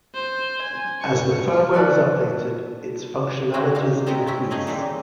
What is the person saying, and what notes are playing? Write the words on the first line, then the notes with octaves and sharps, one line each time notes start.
As the firmware is updated, its functionalities increase.
C5
G#5
C#6
F#4 A4 B4 D5
E3 G#3 F#4 C5 C#5 G5
A#3 D#4 F5
G#3 C4 F4 D#5 E5 A#5
C4 C#4 E4
A3 D#4 G#4 C#5 D#5 F5
C#3 E3 G3 G#3 A#3 C4